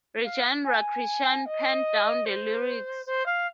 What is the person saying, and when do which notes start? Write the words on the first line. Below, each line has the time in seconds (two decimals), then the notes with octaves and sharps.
Rajendra Krishan penned down the lyrics.
0.24 F5
0.64 G#5
1.45 D#5
2.25 C5
3.06 C5
3.26 F5